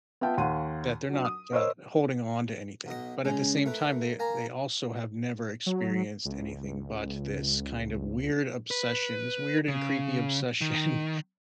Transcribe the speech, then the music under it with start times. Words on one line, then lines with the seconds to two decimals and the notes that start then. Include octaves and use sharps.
That they're not, uh, holding on to anything, but at the same time they they also have never experienced anything but this kind of weird obsession, this weird and creepy obsession
0.21 B3 F4 E5 G5 A5
0.38 D#2 F5 F#5 C6 D#7
1.09 F#3 D4
1.25 D#6
1.52 A#4 C5 C#5 D#5 E6
2.86 B1 B2 D#5
3.25 C#3 G#3 C#4
3.66 A3 A#4 B4
4.20 A#3 G#5 A#5
5.66 F#3
6.25 C#2
8.71 B4
9.68 C#3
10.61 D#3